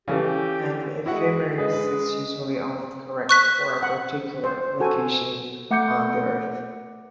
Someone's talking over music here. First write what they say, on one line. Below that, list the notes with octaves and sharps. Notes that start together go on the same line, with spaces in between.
An ephemeris is usually only correct for a particular location on the Earth.
C#3 E3 G4 A4
G#3 E4 F#4 F#5
G#3 G#4 B4 D#5
B4
C#6 F#6 B6
F#5
C5
F#4 A4 G#5
A3 F#5 D6 G6 C#7